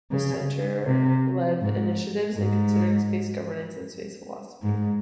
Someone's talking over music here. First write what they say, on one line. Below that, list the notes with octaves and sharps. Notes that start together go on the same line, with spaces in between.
The centre led initiatives in considering space governance and space philosophy.
C#3
C3
G#2
G#2
G#2